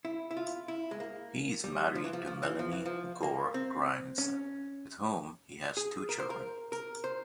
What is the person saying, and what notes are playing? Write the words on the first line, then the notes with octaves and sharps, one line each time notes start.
He is married to Melanie Gore-Grimes, with whom he has two children.
E4
E4
F4
E4
G#3
A#3
G3
F3
E3
F3
F3
E3
F3
E3
F3
A#3
C4
C#4
G#4
A#4
C5
A#4
A#4
C5